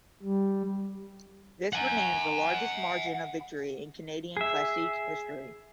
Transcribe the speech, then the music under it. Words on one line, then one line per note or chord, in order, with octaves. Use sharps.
This remains the largest margin of victory in Canadian Classique history.
G3
F#5 G#5
G#4 E5